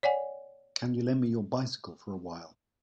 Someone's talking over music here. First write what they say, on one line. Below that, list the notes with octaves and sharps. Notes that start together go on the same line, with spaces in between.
Can you lend me your bicycle for a while.
C#5 D5 F#5 G#5